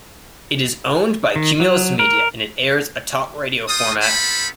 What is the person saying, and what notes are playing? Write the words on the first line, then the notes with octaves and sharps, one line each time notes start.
It is owned by Cumulus Media and it airs a talk radio format.
D#3
F#3
A#4
F4 G5 D#6
B3 F4 A4 C5 B5